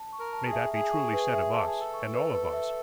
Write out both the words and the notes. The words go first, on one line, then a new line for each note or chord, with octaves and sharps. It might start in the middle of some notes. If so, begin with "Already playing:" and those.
May that be truly said of us, and all of us!
Already playing: A5
C#6
A#4
A5
G#4
E5
G#4 E5
C#6
B4
E5
A4 A5
G#4
A5
A4
C#6
B4
B4
E5